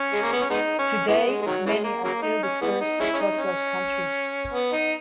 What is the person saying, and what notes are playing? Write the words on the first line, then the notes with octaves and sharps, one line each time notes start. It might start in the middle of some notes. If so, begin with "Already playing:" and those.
Today, many are still dispersed across those countries.
Already playing: C#4
G#3
A#3
B3
C#4
G#3 B3 D#4
C#4
E3 G#3 B3
G#3
G#3
D#3 F#3
C#3 E3 G#3
A#3
C#3 F#3 A#3
D#4
C#4
E3 G#3 B3
D#4
G#3 C#4 E4
C#4
D#4
C#4
B3
D#4